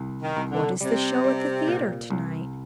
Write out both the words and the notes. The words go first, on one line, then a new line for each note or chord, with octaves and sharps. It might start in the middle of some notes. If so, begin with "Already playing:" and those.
What is the show at the theatre to-night?
Already playing: C2
D#3
C2
D3
C3 G3
G3
A#2
C2